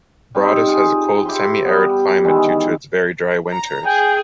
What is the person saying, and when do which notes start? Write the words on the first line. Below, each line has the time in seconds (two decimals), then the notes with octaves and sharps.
Broadus has a cold semi-arid climate due to its very dry winters.
0.35 G3 C4 D#4
0.67 F4 G#4
1.25 G4 E5 B5 C6
1.65 G3 B3
2.24 D#3 E3 G#3 E4
3.51 A#5
3.86 G#4 G5